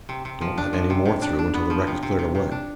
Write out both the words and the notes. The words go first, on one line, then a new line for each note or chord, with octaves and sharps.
Don't let any more through until the wreck is cleared away.
C3
C3
F3
D4
F3
C3
C3
D4
D4
B3
F3
C3
C3
C3
C3
D4